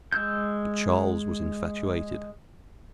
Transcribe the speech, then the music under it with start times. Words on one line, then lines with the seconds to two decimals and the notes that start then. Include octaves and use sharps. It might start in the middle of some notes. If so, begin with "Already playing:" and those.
But Charles was infatuated.
0.12 G#3 E6 G6